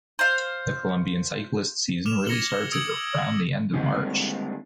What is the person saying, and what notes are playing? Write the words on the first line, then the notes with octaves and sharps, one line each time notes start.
The Colombian cyclist season really starts at around the end of March.
C5 F5
D6 F6 E7 F7
G#6 A#6 C#7 E7 F#7 G7
D#6 E6 G#6 D7 F#7
D3 G3 G#3 A#3 C4 C#4